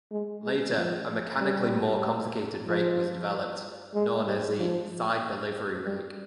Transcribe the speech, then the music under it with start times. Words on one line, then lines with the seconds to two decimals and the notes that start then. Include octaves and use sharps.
Later, a mechanically more complicated rake was developed, known as the "side delivery rake".
0.12 G#3
0.44 G#3
0.76 F3
1.39 G3
2.67 F3
3.94 G#3
4.26 G3
4.58 F3
5.85 G3